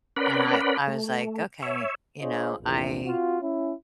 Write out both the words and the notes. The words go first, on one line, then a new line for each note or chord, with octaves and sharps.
And I I was, like, "Okay, you know, I"
C#4 A#4 B4 D5 F#5 B5
A3
C#5 E5
D4 F4 G#4 C5 C#5 D#5
A#1 E2
C4 F4 F#4
C#4 E4